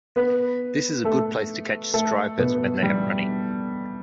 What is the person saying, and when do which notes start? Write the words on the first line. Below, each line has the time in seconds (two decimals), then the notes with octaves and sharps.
This is a good place to catch stripers when they are running.
0.16 B3 B4
1.04 A3 A4
1.94 A3 A4
2.39 B2 B3
2.83 G3